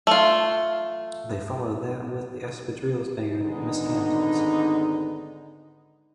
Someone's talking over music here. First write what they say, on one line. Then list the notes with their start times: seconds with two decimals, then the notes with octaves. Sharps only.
They followed that with the espadrilles brand, Miss Hamptons.
0.07 A3 F4
3.39 G#1 D3 G#3 B3 D#4